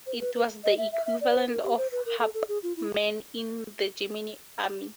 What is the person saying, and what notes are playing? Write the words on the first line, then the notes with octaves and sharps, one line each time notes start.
It was the equivalent of a "Hauptmann" in the German army.
C5
A#4
B4
B4
D#5
E5
E5
E5
D5
C5
A#4
G4
C5
B4
A#4
A4
A4
G#4
F4
E4